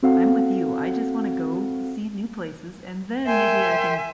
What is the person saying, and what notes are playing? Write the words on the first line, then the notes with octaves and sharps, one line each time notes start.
I'm with you, I just wanna go see new places, and then maybe I can,
C4 F#4 A4 F5 F#5
A#4 E5 G5 G#5 C6